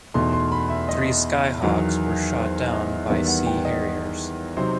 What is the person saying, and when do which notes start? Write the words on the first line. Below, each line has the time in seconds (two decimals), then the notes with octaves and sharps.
Three Skyhawks were shot down by Sea Harriers.
0.14 E2 B2 A3 D#4 C6
0.33 C6
0.52 B5
0.70 E5
0.89 D#5
1.62 E2 D#3 F#3
2.36 C5
2.72 D#5
3.09 E2 D#3 G3 B3 E5
3.28 F#5
3.47 G5
3.65 D#5
4.57 C3 F#3 C4 D#4 C5